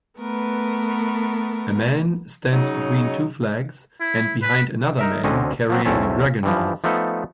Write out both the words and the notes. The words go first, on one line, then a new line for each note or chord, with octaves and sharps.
A man stands between two flags and behind another man carrying a dragon mask.
A3 B3 A#4 B4
C#3 F#3 D#4
E4
B4
D#4 A#4 E5
D2 D3 C4 C#4 D#5
F3 F#3 C4
B1 E2 A3 C4 C#4 A5
G2 E3 F3
F3 A3 B3 D#4 A4